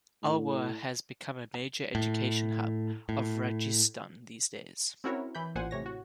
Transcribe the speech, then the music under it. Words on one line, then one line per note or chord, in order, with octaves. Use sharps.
Alwar has become a major education hub of Rajasthan these days.
A2
A2
A2
C4 C#4 E4 F#4 A#4 C#5
E3 B5 G6
A1 A#2 C5 F#5 G#5
A2 C3 C#5 A#6
F#4